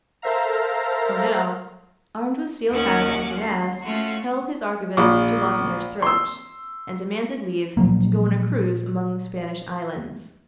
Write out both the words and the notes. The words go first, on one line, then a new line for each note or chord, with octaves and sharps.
Fourneaux, armed with steel cap and cuirass, held his arquebuse to Laudonniere's throat, and demanded leave to go on a cruise among the Spanish islands.
A4 A#4 C5 E5 F5 A#5
D#2 D#3 C#4 F#5 D6
C6
A3 C#4 F4 F#4
A#1
C6 E6
A#2 F3 F#3 A#3